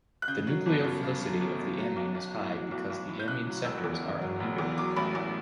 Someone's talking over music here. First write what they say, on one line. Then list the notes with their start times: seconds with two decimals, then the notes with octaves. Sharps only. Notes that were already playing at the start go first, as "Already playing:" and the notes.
The nucleophilicity of the amine is high because the amine centers are unhindered.
0.22 F#6
0.28 C#3 G6
0.47 F#3
0.66 G1
0.84 F#2
1.03 C#3
1.22 F#3
1.40 G1
1.59 F#2
1.78 F#3
1.96 B1
2.15 B1
2.34 A2
2.53 F#3
2.71 B1
2.90 B1
3.09 A2
3.20 G6
3.28 C#3 F#6
3.47 F#3
3.65 E1 E6
3.84 E2
4.03 C#3
4.21 F#3
4.40 E1
4.58 E2
4.78 F#3 D6
4.96 A1 B5
5.15 A1